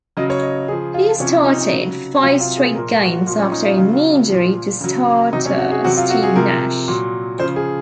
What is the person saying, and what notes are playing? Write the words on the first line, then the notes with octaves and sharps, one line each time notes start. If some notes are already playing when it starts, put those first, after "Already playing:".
He started five straight games after a knee injury to starter Steve Nash.
C#3 F#3 D#5
C#5
D#5
C#3 F3 G#4
F4
C3 F3 C#4
D#4
C#3 F#3
C3 F#3 F4
F4
G#4
A#2 F3 A#4
F#4
A#2 F3 F4
C#4
D#4
F4
C#3 F#3 F4
A#2 F3
C#3 F#3
C3 F#3 D#4
C#4
F#4
G#4
C3 F#3 F#4
F4
F#4
G#4
C3 F3 A#4
A#2 F#3
C#3 F3 C5
G#4